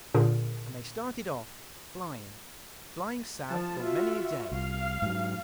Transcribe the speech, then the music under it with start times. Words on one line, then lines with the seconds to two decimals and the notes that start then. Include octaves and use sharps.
And they started off, flying, flying south for many a day.
0.14 A#2 D3 D4 G#4 A#4
3.49 F3 A5
3.80 F4 F#4 E5
4.52 C2 F5
5.02 G#2 F#3